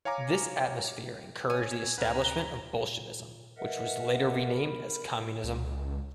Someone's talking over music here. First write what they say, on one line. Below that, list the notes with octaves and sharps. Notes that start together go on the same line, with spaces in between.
This atmosphere encouraged the establishment of Bolshevism, which was later renamed as communism.
C#5 F5 G#5 A#5 D6
C#5 G#5
D2 B4 A#5 F6
A#2
A#4 B4 D#5 E5 F#5
A#4 B5
C#2